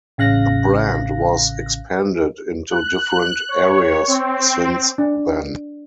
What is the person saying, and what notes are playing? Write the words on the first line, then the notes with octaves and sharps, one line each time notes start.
The brand was expanded into different areas since then.
A1 C#3 F5 F#6 A#6
F#6
C#5
C4
D4